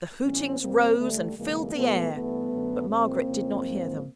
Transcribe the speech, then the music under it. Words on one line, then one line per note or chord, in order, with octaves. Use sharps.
The hootings rose and filled the air,--but Margaret did not hear them.
A2 E3 G3 B3 C#4
E2 B2 G3 A#3 C4
D2 D3 G3 A3
D2 C3 E3 G3 G#3 A#3
A#2 F3 G#3 A3 B3
G2 E3 G3 A3 B3
F#2 D3 F#3
A#2 F3 G#3 A#3 C4
F2 C#3 F3 G#3
G#2 F3 G#3